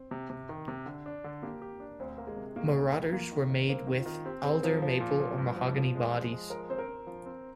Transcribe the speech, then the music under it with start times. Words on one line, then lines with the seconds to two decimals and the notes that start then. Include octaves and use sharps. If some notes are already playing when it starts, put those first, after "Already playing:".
Marauders were made with alder, maple, or mahogany bodies.
Already playing: C4
0.11 C3
0.30 C3
0.49 D#3
0.68 C3
0.86 D3
1.06 D4
1.24 D3
1.43 A#3 G4
1.62 G4
1.80 D4
2.00 D2 C4
2.18 A#3
2.27 G#3
2.36 C3
2.56 D#3 A#3
2.74 D2
2.94 D2
3.12 A#3 F4
3.32 D#3
3.50 D#3
3.69 A#3 C4
3.87 D#3
3.97 F4
4.06 D#3
4.24 C4 G4
4.43 C4 G#4
4.63 F3 A#4
4.82 F3 C5
5.00 A#2
5.19 F3
5.38 G2
5.56 F3
5.76 F3
5.95 G#3
6.13 F3
6.31 G#3
6.50 F3 A#4
6.70 C4 C5
6.78 A#4
6.89 C4
7.07 F3
7.26 C4